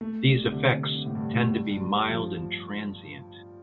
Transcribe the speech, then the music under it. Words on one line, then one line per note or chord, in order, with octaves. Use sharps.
These effects tend to be mild and transient.
A3
G3
C3
D3
C3
C3
A2
G2
A2
G2
G2
G3
F3